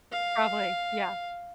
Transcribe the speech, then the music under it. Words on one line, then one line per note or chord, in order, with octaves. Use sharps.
Probably, yeah.
F5